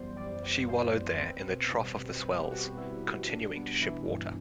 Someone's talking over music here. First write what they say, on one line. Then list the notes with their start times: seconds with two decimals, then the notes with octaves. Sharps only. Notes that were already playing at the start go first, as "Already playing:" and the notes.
She wallowed there in the trough of the swells, continuing to ship water.
Already playing: F#2 E3 G3 B3 C5 D5
0.16 G3 D5
0.42 B3
0.68 E3 C5
0.94 F#2
1.21 C4 B4
1.47 B2
1.74 G3
1.99 B2
2.25 C4 B4
2.38 G4
2.51 B2 F#4
2.65 F#4
2.77 G3 E4
3.03 B2
3.29 G3 D4
3.56 B3
3.81 E3 E4
4.08 G2